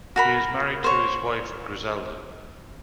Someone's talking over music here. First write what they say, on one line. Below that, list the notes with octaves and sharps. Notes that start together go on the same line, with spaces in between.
He is married to his wife Griselda.
F#4 A#4 B5
C5 C#5